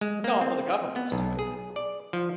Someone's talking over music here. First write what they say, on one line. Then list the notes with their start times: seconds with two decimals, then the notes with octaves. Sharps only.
No, but the government's doing it.
0.01 G#3
0.24 A#3
0.41 C4
0.96 B3
1.12 B1
1.39 G#4
1.76 D5
2.13 F3